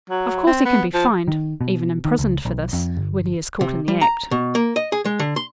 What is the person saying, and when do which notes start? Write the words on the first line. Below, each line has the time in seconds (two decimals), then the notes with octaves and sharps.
Of course he can be fined--even imprisoned for this--when he is caught in the act.
0.10 F#3
0.46 C4
0.65 B3
0.94 F3
1.28 D#3
1.61 B2
2.05 D#3
2.19 C#2
2.45 B1
2.73 F2
2.97 G1
3.61 C3
3.88 G3
4.01 A#5
4.31 B2
4.55 A#3
4.76 D#5
4.92 G#4
5.05 G#3
5.19 D3
5.36 C6